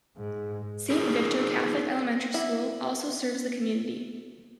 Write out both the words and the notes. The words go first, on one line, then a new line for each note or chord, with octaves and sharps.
Saint Victor Catholic elementary school also serves the community.
G#2
D#4 F4 G#4 A#4 B4
D4 E4 E5 F#5